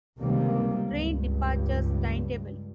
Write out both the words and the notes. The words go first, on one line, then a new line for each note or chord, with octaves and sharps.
Train departures timetable.
C#2 C3 D#3 G3 A#3
C#2 G2